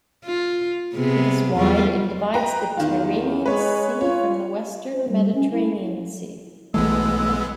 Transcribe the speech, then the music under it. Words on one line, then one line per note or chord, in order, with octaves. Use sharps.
It is wide and divides the Tyrrhenian Sea from the western Mediterranean Sea.
F4
C3 B3 G#4
E2 G3 F4
B4 G5 A#5
E2 D#3 F4
G#3 B4 C#5
F4 C#5
C5
G3
C#4
E4
B1 E3 G#3 A3 B3 E6